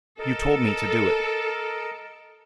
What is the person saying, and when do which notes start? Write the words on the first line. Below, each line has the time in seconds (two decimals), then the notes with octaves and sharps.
"You told me to do it."
0.19 A4 A#4 D#5